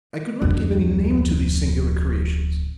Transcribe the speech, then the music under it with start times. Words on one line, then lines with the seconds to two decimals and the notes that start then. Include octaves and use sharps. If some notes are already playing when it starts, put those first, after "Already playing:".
I could not give any name to these singular creations.
0.42 D1 F2